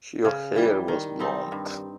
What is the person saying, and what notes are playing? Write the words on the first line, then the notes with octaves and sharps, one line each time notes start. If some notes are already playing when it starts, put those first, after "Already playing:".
Her hair was blonde.
C#3
E3 G3
D#3
G3 C4 D#4
G2